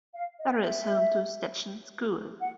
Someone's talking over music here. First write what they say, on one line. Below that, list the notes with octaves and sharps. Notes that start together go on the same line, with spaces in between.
Barre is home to Stetson School.
F5
D#5
E5
F#5